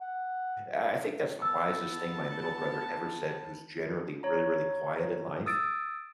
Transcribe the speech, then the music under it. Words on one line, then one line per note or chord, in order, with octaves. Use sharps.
I I think that's the wisest thing my middle brother ever said, who's generally really, really quiet in life.
F#5
B3 A5 E6
C#5 A#5
D#6 E6 A6 D7